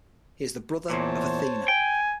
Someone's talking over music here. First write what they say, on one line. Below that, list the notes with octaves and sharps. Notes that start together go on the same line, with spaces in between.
He is the brother of Athena.
E2 A#2 C5 C#5 A5
G5 G#5